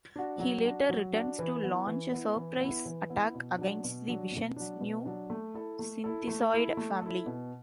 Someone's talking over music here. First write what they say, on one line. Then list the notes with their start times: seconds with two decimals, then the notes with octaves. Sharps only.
He later returns to launch a surprise attack against the Vision's new synthezoid family.
0.16 D4 F#4
0.40 F#3
0.65 D4 F#4
0.89 F#3
1.13 D4 F#4
1.39 E3
1.63 B3 E4
1.87 E3
2.12 B3 E4
2.36 E3
2.60 B3 E4
2.86 E3
3.10 B3 E4
3.35 B2
3.58 F#3 D4
3.84 B2
4.08 F#3 D4
4.32 B2
4.56 F#3 D4
4.81 B2
5.06 F#3 D4
5.30 A3
5.54 E4 A4
5.79 A3
6.04 E4 A4
6.27 A3
6.52 E4 A4
6.77 A3
7.01 E4 A4
7.26 B2